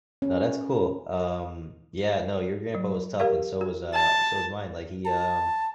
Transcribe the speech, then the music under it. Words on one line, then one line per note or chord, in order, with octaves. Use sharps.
No, that's cool, um, yeah no, your grandpa was tough and so was, uh so was mine, like, he, um
C#4
F#3
G4 A#4 F5
F#4
A5
A5